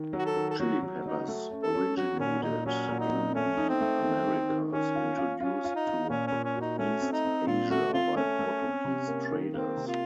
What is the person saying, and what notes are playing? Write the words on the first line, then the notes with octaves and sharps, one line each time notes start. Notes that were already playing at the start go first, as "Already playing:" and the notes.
Chili peppers originated in the Americas, introduced to East Asia by Portuguese traders.
Already playing: D#3
F#3
F#4
A4
D#3
A4
F#3 F#4
F#3
F#3 D#4
A3
C#4
A4
C#4
F#3 F#4
A#2 C#4
A#2 D#4
F#3 C#4
A#2
D#4
C4
A3 C#4
D#4
C4
A3
D#3
D#4
D#3
D#3 C#4
F4
F4
C#4 F4
F4
D#4
F4
A#2 C#4
C#4
A#2
C#4
F#4
D#4
A3 C#4
C4
D#4
C4
A#2 F4
A3 F#4
C4 F4
A3 C#4
A3
C4
C3
A#3
D#3
A#3 C4
C3
F4